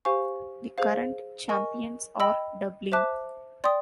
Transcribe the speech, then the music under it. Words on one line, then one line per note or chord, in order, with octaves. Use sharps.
The current champions are Dublin.
G4 C5 F5 G#5 C#6
G#4 C5 F5
A#4 D#5 G#5 C#6
D#5 G5 B5 E6
C5 E5 A5 D6 F#6
D5 G5 C6 D#6